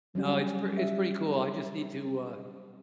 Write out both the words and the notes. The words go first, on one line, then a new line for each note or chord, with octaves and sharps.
No, it's p it's pretty cool, I just need to, uh,
F#3 G3 C#4 G4
G3 E5